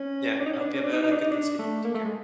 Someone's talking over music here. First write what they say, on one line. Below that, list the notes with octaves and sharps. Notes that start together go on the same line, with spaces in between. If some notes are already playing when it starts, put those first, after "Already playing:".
Yeah, I hope you have a good Thanksgiving. Take care.
Already playing: C#4
D4
D#4
C#4
D4
C#4
D4
D#4
D#4
D4
D#4
D4
A3
A#3
A3
G#3